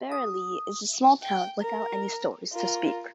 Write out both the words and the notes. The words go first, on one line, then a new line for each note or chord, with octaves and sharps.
Berrilee is a small town, without any "stores", to speak.
D#6
G5
A#4
F4 A#4